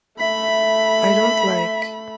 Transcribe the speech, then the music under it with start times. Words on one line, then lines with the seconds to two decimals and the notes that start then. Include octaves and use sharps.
I don't like...
0.20 A3 E5 B5